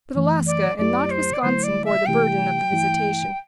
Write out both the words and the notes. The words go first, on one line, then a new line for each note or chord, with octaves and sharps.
But Alaska and not Wisconsin bore the burden of the visitation.
F#2 E3 A3
D5
F#2 F#3 A3 E4 G4 D5
C5
D5
D3 F#3 A3 E4 C5
D5
E5
C3 E3 A3 E4 G4 G5
G2 E3 A3 E4